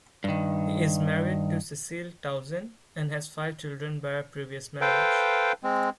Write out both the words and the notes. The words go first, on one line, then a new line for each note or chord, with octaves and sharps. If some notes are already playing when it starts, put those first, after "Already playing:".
He is married to Cecile Tauzin and has five children by a previous marriage.
G2 D#3
A4 B4 C5 F5 G5
G#3 C4